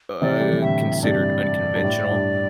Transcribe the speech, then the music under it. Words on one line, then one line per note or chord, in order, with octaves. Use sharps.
uh, considered unconventional.
C3 E3 D5
G3
E3
A2 D3 E5
G2 C3 D5
G2
A2
G2